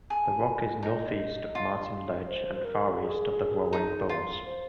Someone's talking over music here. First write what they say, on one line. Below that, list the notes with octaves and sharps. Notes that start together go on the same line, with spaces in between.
The rock is northeast of Martin Ledge and far east of the Roaring Bulls.
G#4
D#4 D#5
F4
C5
C5
A#4
G#4
D#4
F4
C5